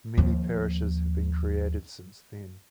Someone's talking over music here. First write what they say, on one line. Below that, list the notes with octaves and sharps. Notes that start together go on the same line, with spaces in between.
Many parishes have been created since then.
D#2 F3